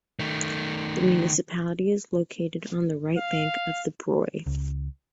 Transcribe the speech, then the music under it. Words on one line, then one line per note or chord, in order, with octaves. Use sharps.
The municipality is located on the right bank of the Broye.
D#3 A3
F5
C#2